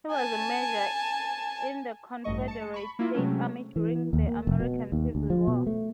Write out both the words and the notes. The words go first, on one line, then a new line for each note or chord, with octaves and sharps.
He was a Major in the Confederate States Army during the American Civil War.
G#5 A5
A1 G2 A3 D#5 C#6
A5 C#7
B5 C#6
A#3 E4 F4
C3 F#3 G#3 A3 C4 C#4
E3
D#2
A#3
F1
B2
D#2
D2
F3
B2
A3